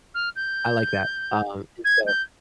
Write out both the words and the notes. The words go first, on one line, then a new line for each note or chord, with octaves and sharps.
I like that, um, and, so,
F6
G6
G#6
G6